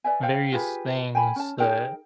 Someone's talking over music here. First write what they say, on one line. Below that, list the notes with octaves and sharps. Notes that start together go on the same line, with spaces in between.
various things that
B4 D5 E5 G#5
C5 F5 G5
F4 G4 G#4 B4
G5 G#5 A#5 B5
C#4 A5
D#4 G#4 A#4 G5